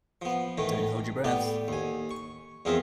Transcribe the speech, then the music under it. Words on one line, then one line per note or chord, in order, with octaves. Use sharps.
Don't hold your breath.
F3 B3
A2 D#3 E3 A3
A2 B3 G4 D5
D#2 G#5
C#6
E2 F3 C4 G#4 A#4 E5